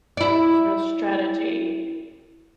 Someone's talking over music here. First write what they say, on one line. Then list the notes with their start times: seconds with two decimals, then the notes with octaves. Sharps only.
There's real strategy,
0.17 E4 D5